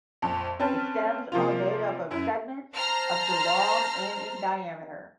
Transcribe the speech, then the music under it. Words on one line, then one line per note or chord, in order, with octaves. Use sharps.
The stems are made up of segments up to long and in diameter.
A#1 F2
C4 C#4 B4 A5
C3 F3 A#3 F4
F#2 E4
C5 A5 A#5 C6 F6